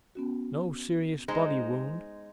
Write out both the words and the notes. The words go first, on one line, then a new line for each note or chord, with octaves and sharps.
No serious body wound.
B3 C#4 F#4
G#3 D#4 C5